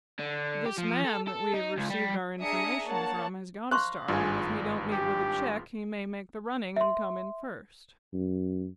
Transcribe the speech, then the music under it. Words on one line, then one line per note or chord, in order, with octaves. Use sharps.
This man that we have received our information from, has got a start, and if he don't meet with a check he may make the running and come in first.
D3
G4
F3
A4
A4
D#4
C#2
G3
D4 G#4 E5 A#5 D#6 C#7
A#3 C#5 F#5 A5
C5 F5 A#5 C6 C#6 F#6
G#1 G2 F4 G#4
G4
E5 C6
F#2